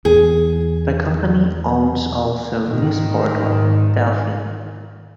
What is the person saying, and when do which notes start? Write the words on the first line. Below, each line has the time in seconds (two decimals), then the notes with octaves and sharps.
The company owns also news portal "Delfi".
0.05 E2 G#4
2.65 G#2 D#3